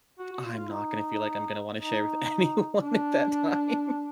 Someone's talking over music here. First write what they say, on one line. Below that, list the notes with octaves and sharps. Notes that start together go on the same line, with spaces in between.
I'm not gonna feel like I'm gonna wanna share with anyone at that time.
F#4
F#4
F4
F4
D#4
D#4
D4